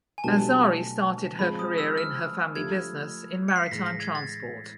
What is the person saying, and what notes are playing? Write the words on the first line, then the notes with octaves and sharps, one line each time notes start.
Azhari started her career in her family business in maritime transport.
G#5
B2 F#3 A3 D4 G4 A5
F3 G#3 C4 F4 B5
D#6
E6
F6
F3 A3 D4 G4 G#6
C#7
C7
B6
A2 E3 G#3 A#6
A#6
G#6
A6
A#6